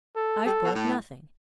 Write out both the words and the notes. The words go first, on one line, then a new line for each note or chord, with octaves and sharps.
'I've brought nothing.
A4
G3 A4
B2
A2